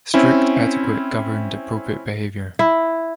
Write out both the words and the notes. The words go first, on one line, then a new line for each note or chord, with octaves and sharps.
Strict etiquette governed appropriate behavior.
C4 C#4 E4
E4